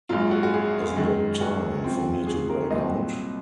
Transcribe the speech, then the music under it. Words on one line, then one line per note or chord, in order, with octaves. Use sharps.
Isn't it time for me to break out?
A#1 G#2 F#3 F4
F#4
F#4
G#4
F#2 D#3 G#3
F#4
F#2 F3 C4
G#4
A#4
C2 A#2 F#3 C4 D#5